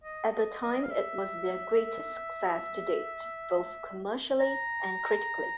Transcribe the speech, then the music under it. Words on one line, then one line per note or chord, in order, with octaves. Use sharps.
At the time it was their greatest success to date both commercially and critically.
D#5
D#5
D#5
F5
E5
A#5